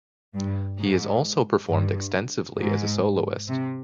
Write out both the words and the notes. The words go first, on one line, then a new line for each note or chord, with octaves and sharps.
He has also performed extensively as a soloist.
G2
G#2
G2
G#2
C3